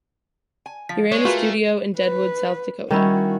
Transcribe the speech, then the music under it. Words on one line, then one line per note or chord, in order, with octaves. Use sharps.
He ran a studio in Deadwood, South Dakota.
G#5
F3 B6
G#3 C#5
A3 F4 F#4 G#4 A#4 B4
B4
D#3 G3 C#4 E4 F#4